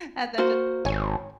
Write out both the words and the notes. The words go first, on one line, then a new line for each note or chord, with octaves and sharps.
and then, ju
A#3 F#4 C5
G#1 C#5 G#5